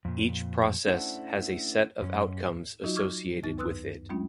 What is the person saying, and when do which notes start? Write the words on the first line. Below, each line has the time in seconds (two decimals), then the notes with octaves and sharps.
Each Process has a set of outcomes associated with it.
0.05 F2 A#2
0.87 A3 C#4 D4 E4 C5 F#5
2.01 F#2 C#4
2.83 F#3 D#4 F4 F#4 D#5
2.96 C#6 D6 E6 F6 G#6
3.43 D2 G2 D#3 B3 D#4 A6
3.58 F#2 B4 C6 D#6 E6 F#6
4.09 F#3 G#3 A3 C#4 D4 F4